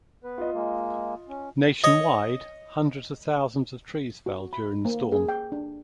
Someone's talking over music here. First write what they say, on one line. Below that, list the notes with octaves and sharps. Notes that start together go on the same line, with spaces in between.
Nationwide, hundreds of thousands of trees fell during the storm.
B3 B4
F4 D#5
G#3 A#3
C#4
C#5 D#5
F#4
B5
A#3
G#4
G5
D4